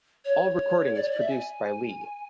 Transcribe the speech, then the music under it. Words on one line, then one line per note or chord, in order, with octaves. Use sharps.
All recordings produced by Lee.
C#5
D5
C#5
D5
E5
G#5